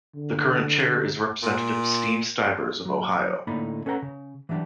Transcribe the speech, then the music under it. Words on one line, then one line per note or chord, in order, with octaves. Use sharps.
The current chair is Representative Steve Stivers of Ohio.
D3
A#2
F#3
A2 D3 A#3 D#4 D5 B5
C#4 A4 B4 F#5 G5 A#5
C#3
E3 F#3 G3 D4 G4